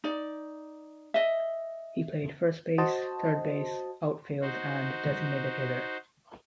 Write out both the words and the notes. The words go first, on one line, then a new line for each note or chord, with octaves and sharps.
He played first base, third base, outfield and designated hitter.
D#4 D5
D#5 E5
F#4 C5 D#5 A5
D#4 F#4 C5